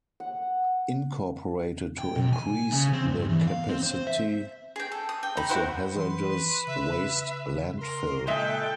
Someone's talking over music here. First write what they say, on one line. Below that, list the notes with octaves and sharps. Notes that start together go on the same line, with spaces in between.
Incorporated to increase the capacity of the hazardous waste landfill.
F#5
G5
B1
G#5
C#3
C4
G2
E2
F5
C4
C5
E5
G#4 G5
A4
D#6
G5
D#4 B5
E4 F#4 C5 F#5
E3 B4 C6
C#3 E5
A#4 C6
A#2 G#3 A4 E5 G5 F#6